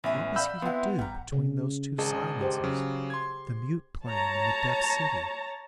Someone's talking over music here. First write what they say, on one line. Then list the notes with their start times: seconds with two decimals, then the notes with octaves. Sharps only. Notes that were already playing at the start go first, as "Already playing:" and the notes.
What was he to do between those two silences--the mute plain and the deaf city?
0.04 A1 B3 E5 G#5
0.36 D5 F5 F#5 B5 E6 G6
0.62 B3 C4 E4 F#5 C6
0.99 A1 G3 F#5 A#5
1.32 C#3
1.98 G#1 G#4 D#5 A5
2.41 G4 C5
2.64 C#3 F#3
3.10 C6 G#6
4.05 C#5 A5 A#5